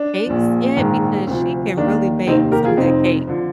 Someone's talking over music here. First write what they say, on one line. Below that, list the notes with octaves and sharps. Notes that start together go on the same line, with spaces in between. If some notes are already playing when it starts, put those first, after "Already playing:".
cakes yet because she can really bake some good cakes."
Already playing: D4
A#1 A#2 F3
A#1 G#2 D#3
D2 C3 F3
D#2 D#3 G3 D4
F1 D#2 D#3 G3 C4 D#4
G4 A#4
F4 G#4
F1 F2 C3 C4 D#4
D3 F3